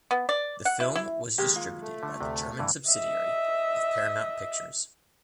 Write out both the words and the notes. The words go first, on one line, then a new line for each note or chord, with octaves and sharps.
The film was distributed by the German subsidiary of Paramount Pictures.
B3
D5
F#5
E4
E4
D#3 G#3 A#3 G4
F4
A3
D3
D2 C3
G2 D3 E3
D#5 E5